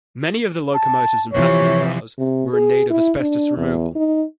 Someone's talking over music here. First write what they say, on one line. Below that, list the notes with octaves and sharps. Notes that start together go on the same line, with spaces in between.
Many of the locomotives and passenger cars were in need of asbestos removal.
A5
C3 E3 F3 C#5
C3
G#4
E4
D4
E2
D#4